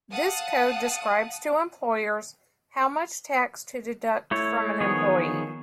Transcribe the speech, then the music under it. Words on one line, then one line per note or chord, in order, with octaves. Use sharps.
This code describes to employers how much tax to deduct from an employee.
F5 F#5 A5 D#6
A3 E4 C#5
D#3 F3 B3 G#4 C#5